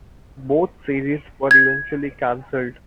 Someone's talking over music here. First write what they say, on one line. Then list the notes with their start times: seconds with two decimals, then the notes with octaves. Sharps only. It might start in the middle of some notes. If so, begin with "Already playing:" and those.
Both series were eventually cancelled.
1.51 G#6